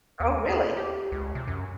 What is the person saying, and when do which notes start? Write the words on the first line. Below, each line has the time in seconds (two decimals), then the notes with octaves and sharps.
Oh, really?
0.20 D#2
0.48 G#4
0.77 G4
1.12 C#2
1.35 C3
1.48 F#2